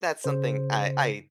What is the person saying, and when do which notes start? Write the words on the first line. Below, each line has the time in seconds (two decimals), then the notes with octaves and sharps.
that's something I I
0.24 C#3 C5